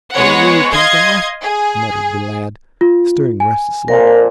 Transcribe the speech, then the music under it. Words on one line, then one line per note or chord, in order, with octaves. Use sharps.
"Whoa, Pink-eye!" muttered the lad, stirring restlessly.
G#3 B3 C#5 F#5
D#5 F5 C6 D#6 G#6
G#4
F4
G#5
F2 A#2 A#4